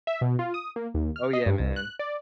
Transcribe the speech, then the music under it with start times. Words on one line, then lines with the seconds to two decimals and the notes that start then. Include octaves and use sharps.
Oh, yeah, man.
0.07 E5
0.21 B2
0.39 F4
0.54 D#6
0.76 A#3
0.94 D#2
1.16 F6
1.33 D#5
1.46 G2
1.60 C2
1.76 F#6
1.99 D5